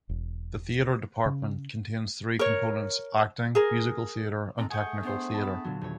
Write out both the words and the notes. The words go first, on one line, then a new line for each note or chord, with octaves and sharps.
The theatre department contains three components: Acting, Musical Theatre and Technical Theatre.
E1
C#3
A#4 C#5
G#4 A#4
G#3 C4 A4 A#5
A3 G#4 F#5 G#5 G6
B3 D4 C5
A5 B5
A#2 D3 F#3
D#1 C#5